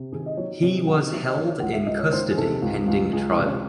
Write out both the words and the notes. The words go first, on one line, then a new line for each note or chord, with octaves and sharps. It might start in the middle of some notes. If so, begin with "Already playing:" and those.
He was held in custody pending trial.
Already playing: C3
D#3 G#4
D#5
F#3 C#5
C3 C#5
D#3 F#5
F#3 E5
D#5
D#3 C#5
C#2 F#5
E5
C#2 D#5
C#5
D#3 C5
G#4
C3 A4
C#2
C#2
C#2 G#4
E4
C3
C#4